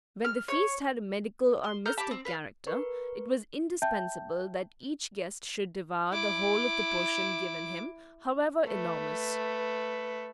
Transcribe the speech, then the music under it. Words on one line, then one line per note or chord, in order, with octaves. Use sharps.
When the feast had a medical or mystic character, it was indispensable that each guest should devour the whole of the portion given him, however enormous.
F6
C#5
C6
A4 A#5 F6 G6
G4 A5 B5 D6
C4
B4 F5
A#4 B4 C#6
E5 G5 A5 G6
E4 D6
A3 B4